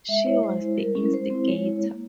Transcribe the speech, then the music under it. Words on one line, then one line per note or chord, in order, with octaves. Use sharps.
She was the instigator.
G#3 E5
E4 C#5
G#3 C5
E4
G3 A#4
C#4 E4
G#3 C5
C4 E4
G#3 C#5
E4
A#3